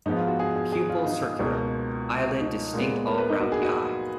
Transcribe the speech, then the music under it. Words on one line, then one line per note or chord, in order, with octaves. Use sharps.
Pupil circular; eyelid distinct all round the eye.
G#2 F3 G#3 B3 D#4
F4
F#4
G#4
G#4
G#4
F4
D#4
C#2 B2 A#3
D#4
A#2 G#3 B3
A#4
B4
D#4
F#4
G#4
F#4